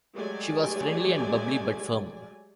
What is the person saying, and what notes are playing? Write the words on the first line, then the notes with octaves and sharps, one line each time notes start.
She was friendly and bubbly, but firm.
F#3 G#3 A3 G4 D5 G#5